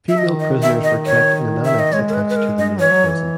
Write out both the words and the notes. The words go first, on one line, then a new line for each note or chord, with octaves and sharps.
Female prisoners were kept in an annex attached to the male prison.
E5
D#3 D#5
D#5
E5
D#5
C#5
E5
D#5
G#3 C#5
A#4
B4
B4
A#4
D#5
E3 C#5
F#3
E3